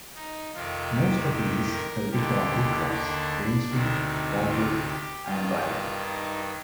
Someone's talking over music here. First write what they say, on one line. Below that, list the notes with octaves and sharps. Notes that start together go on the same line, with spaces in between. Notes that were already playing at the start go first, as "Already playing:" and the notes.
Most of these were built around Woodcross, Lanesfield, Wallbrook, and Brierley.
D#4
F2 C3 D#3 F4
G4
G4
A#4
D#2 D3 G4
D4
D2 C3 D#3
D#4
F4
G4
G2 D#3 F4
D#4